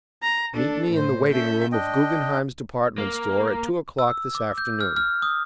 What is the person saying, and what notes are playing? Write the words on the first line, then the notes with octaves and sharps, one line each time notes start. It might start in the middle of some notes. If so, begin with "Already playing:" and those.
Meet me in the waiting-room of Guggenheim's Department Store at two o'clock this afternoon.
A#5
D4 A4
A2 C5
C#4 A4 E5 G6
D4 D#5 G5
A#3
E6
D6
G6
F6
F6
D#6